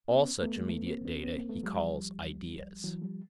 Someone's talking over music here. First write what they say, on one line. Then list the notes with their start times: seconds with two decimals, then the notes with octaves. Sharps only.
All such immediate data he calls 'ideas'.
0.10 C4
0.15 B3 C#4
0.42 A3 B3
0.56 G#3 A#3
0.69 A3 B3
0.87 A#3 C4
1.05 B3 C#4
1.23 B3 C#4
1.36 A#3 C4
1.49 A3 B3
1.63 F#3 G#3
1.77 F3 G3
2.84 E3 F#3
3.02 F3 G3